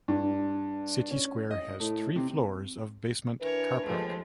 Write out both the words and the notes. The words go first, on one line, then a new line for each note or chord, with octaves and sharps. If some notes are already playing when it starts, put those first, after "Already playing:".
City Square has three floors of basement carpark.
G2
C#4
D#5
A2
C3
E3 D4 A#4 B4 C#5
D#2 F3 G#3 A3